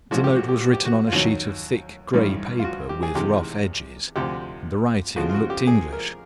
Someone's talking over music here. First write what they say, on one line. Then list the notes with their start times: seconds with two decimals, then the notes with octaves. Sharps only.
The note was written on a sheet of thick grey paper, with rough edges; the writing looked English.
0.11 A1 G#2 F3 G#3 F#4
0.24 G4
0.36 F#4
0.48 G4
0.60 F#4
0.73 G4
0.85 F#4
1.07 F4
1.12 D#2 D#3 F#3 F#4
2.14 A1 G2 D#3 G3
2.59 F4
2.64 F#4
2.89 G4
3.03 G#4
3.15 E2 C3 D#3 G#3 G4
4.16 D2 C3 F3 G4
5.16 F2 C#3 F3 G#3 F#4
5.29 F4
5.34 F#4
5.50 G4
5.67 G#4
5.93 A#4